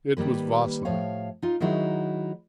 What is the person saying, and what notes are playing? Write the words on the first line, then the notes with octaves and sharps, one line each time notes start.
It was Vasily.
D#3 G3 A#3 B4
A2 F3 C#5 F5
D#4 F4
D#3 F#3 G#3 D#4 E4 F#4